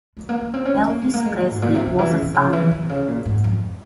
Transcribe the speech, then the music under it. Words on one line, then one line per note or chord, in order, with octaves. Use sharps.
Elvis Presley was a fan.
G#3
A#3
A#3
C4
C#4
C#4
A#3
G#3
A#3
G#3
A#2
G#2
A#2
C3
C#3
E3
C#3
C3
C#3
E3
E3
C3
C#3
A#2
G#2
F2